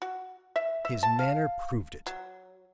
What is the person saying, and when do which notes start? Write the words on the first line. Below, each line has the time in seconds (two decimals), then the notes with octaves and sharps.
His manner proved it.
0.02 F#4
0.56 E5
0.85 E5
1.03 A5
1.19 F5
2.07 F#3